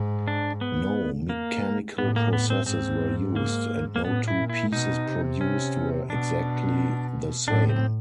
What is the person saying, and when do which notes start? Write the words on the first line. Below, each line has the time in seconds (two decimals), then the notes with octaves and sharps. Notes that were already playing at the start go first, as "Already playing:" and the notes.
No mechanical processes were used, and no two pieces produced were exactly the same.
Already playing: G#2
0.28 D4
0.61 B3
1.29 A#3
1.98 A2 B3
2.16 A#3
2.33 B3
2.50 C4
2.66 G#2 C4
3.36 A#3
3.96 A#3
4.04 A2 B3
4.28 E4
4.38 A#2
4.49 E4
4.73 B2 D#4
5.07 C3
5.41 C#4
6.10 B2 D4
7.47 A2 D4
7.69 C4